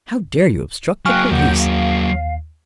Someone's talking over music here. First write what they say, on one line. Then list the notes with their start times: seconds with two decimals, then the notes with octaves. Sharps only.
How dare you obstruct the Police?
1.06 F#3 A#3 F5 G5 G#5 C#6 F6 F#6
1.32 D#2 F#5 G6
1.59 F5